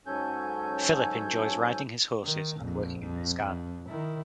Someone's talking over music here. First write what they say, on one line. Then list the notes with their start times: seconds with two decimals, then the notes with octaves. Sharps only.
Philip enjoys riding his horses and working in his garden.
0.07 G#2 F#3 C#4 A4 G#5 G6
2.24 D#3
2.58 A#1 F2
3.01 F2
3.43 F2
3.88 D#3 E4